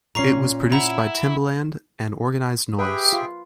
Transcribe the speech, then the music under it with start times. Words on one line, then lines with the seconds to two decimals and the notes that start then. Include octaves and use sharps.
It was produced by Timbaland and Organized Noize.
0.15 A#2 C#4 A#5 C#6 C7
0.72 E4 F#5 A#5
2.78 G4 G#4 B4 E5 G5
3.13 F4